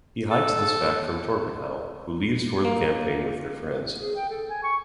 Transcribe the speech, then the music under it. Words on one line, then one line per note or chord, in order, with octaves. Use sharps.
He hides this fact from Torpenhow, who leaves for the campaign with their friends.
A4
A#3
G#4
G5
A4
G#5
C#6